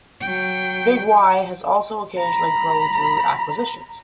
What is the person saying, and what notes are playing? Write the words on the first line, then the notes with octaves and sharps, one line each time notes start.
Big Y has also occasionally grown through acquisitions.
F#3 G5
A#5 B5